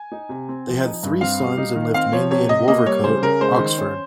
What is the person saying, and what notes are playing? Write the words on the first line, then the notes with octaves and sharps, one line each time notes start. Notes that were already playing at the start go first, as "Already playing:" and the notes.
They had three sons and lived mainly in Wolvercote, Oxford.
Already playing: G#5
D#4
C3
C4
F3
D#4
G2
C4 F5
G3
D#4
D#3
C4 F5
F3 C#5
C3 C#5
C3 D#5
A#3 D#5
G3 C#5
C#3 C5
C#3 A#4
G#3 C5
D#3
C#4